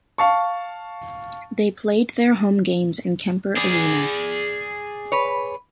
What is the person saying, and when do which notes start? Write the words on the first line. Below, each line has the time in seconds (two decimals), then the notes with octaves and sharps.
They played their home games in Kemper Arena.
0.18 F5 A5 C#6
3.57 G#4 D5
5.12 B4 C#5